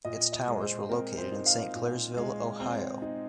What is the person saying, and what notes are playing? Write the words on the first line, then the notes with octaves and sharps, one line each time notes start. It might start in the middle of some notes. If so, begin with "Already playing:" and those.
Its towers were located in Saint Clairsville, Ohio.
A#2 D#5
D#5
G#3
C5
C4 A#4
C5
D#4
F5
A#2
G#3
C4
D#4